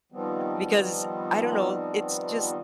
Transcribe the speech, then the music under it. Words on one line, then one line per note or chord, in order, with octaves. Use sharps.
Because I don't know, it's just
D#3 F3 G3 B3 C4